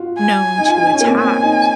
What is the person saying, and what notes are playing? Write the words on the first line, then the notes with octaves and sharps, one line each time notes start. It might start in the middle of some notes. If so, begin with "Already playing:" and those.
known to attacked.
Already playing: F4 F#4
G#5
D#4
F4
D#4
C#4
A#3
C4
C4 G#5
D#4